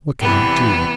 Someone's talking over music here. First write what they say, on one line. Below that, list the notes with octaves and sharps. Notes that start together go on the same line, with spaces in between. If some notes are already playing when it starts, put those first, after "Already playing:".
'What can I do?
E2 C3 E3 G3 B3